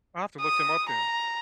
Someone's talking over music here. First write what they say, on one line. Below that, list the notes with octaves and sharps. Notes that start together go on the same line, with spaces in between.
I'll have to look them up, then.
D#6
A#5